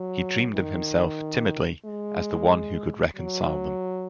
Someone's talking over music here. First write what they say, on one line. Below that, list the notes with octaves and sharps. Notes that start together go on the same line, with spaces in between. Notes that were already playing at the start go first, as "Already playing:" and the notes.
He dreamed of himself, timidly, as the one who could reconcile them.
Already playing: F#3
D#3
G#3
F#3